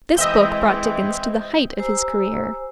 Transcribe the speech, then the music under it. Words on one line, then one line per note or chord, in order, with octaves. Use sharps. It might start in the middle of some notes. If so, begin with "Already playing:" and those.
This book brought Dickens to the height of his career.
E3 G#3 C4 D#5 E5 G6
G4 C5 G#5 A#5 E6